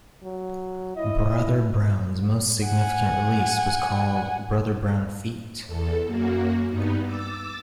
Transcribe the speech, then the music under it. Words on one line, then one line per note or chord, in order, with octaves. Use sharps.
Brother Brown's most significant release was called Brother Brown feat.
F#3
E4 D#5
F#5 G#5
E2 A4
F#2 A#3 F#4
G2 B3 D#4
D6 E6 A6